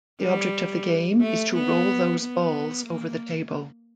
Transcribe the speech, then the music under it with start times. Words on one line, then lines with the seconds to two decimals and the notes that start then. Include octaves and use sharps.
The object of the game is to roll those balls over the table.
0.21 G3
1.21 A3
1.54 B3
2.20 B3
2.86 A#3